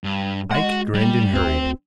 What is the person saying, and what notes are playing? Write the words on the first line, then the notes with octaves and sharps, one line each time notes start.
Ike grinned and hurried.
G2
G#3 F#4 F#5
G3
D2 C4 C5